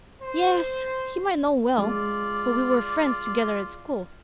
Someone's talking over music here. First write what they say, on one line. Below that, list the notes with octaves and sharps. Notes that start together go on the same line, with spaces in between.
"Yes, him I know well, for we were friends together at school."
C5
G#3 F4 D5